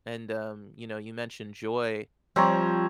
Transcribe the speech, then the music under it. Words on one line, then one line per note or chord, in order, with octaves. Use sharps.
And, um, you know you mentioned joy
F3 G3 C4 C#5 A#5